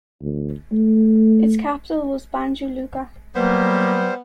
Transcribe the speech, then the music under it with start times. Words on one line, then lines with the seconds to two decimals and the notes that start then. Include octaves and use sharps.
Its capital was Banja Luka.
0.22 D2
0.73 A3
3.35 F#3 G3 A#3 B3 C5